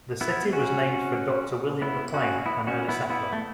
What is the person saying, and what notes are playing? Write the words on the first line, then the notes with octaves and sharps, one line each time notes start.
The city was named for Doctor William McLean, an early settler.
B3 E4
C#4 F#4
B3 E4
C#4 F#4
B3 E4
C#4 F#4
B3 E4
B3 E4
A3